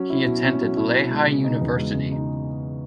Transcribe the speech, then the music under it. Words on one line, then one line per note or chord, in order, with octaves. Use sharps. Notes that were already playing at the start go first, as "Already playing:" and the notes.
He attended Lehigh University.
Already playing: F#3 C#4
E4
B2
C#4
F#3
E4
B2
G#3
C#3
D#4
E2
G#3
C#3
D#4